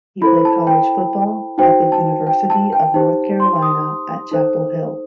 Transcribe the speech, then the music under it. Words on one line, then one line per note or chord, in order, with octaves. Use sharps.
He played college football at the University of North Carolina at Chapel Hill.
E4 A4 C5 B5
A5
G5
D#4 F#4 C5 G5
A5
G5
A5
G5
D#4 G4 C5 A5
C6
D#6
D#4 A4 C5